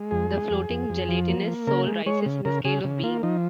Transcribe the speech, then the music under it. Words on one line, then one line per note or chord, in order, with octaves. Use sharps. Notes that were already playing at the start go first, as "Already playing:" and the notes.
The floating gelatinous soul rises in the scale of being.
Already playing: G#3
F2 G#4
G#3
F2
F2
F2
F3
A#3
A#3
C#3 A#4
G#3
G#3 C#5
C#3
C#3 A#4
C#3 G#4
C#3
A#3 F4
F3 D#4